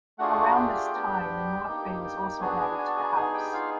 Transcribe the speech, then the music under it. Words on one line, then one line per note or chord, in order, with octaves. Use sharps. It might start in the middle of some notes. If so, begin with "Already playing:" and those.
Around this time the North Bay was also added to the house.
A3 D4 F4 F#4 G#4 F#5
G4 G5
B3 D4 G4
A#3 D#4 G4
B3 D4 F#4 G#4 G#5
G#5
A5
G#4 G#5
B3 D#4 G#4 G#5
G4 G5
F4 F5